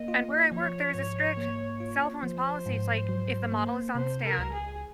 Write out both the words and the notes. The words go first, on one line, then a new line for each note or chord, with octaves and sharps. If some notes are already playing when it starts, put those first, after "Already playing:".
And where I work, there is a strict cell phones policy. It's like, "If the model is on stand,
Already playing: A#3 D#5
F4
F3 C#5
G#2
A#3
F4
F3 C5
G#2
F#3
A#3
C3 C5
A#4
C#2
G#4